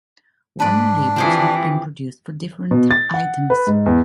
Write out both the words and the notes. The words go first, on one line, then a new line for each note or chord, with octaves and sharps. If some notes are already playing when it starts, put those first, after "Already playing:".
Warning labels have been produced for different items.
G#2 D4 B4 D5
E3 F3 C4 G4 G#4
B2
A6
F#5
B4
G#2
E2